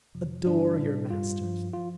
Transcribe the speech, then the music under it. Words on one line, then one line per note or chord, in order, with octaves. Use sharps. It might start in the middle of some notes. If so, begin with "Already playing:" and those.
Adore your masters.
F2 C3 F3
G2 D3 G3 D4
A2 G3
G2 G3 F4
G2 F3
F3 F4